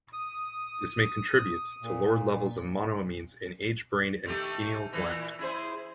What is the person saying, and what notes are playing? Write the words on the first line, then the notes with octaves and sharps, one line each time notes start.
This may contribute to lowered levels of monoamines in aged brain and pineal gland.
D#6
A#2
D#3 A3 G4
A#2 E3 A#3
E4 G#4 C5